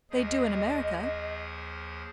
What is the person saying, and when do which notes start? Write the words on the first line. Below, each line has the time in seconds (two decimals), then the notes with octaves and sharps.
"They do in America."
0.11 D#2 F3 G#4 D#5